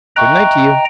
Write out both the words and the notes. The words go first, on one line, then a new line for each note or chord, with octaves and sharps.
"Good-night to you."
D#5 E5 G5 A#5 C#6 F#6